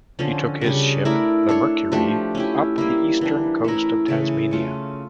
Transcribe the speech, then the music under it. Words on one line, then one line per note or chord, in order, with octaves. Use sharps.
He took his ship, the "Mercury", up the eastern coast of Tasmania.
D3 F3 C#4
C#3 G3 D4
A3 E4 A#4 D5
D4 A4 C#5
F3 A3 D4 G4
C#4 E4 G4
G3 A#3 E4
E3 G3 D4
A3 C#4 E4 A#4
C#3 E3 A3
A3 C#4 F4 C#5